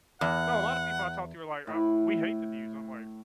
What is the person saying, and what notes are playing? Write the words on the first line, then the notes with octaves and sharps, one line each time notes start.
No, a lotta people I talk to are like, "Uh, we hate the news." I'm like,
E2 F#5
A2 B5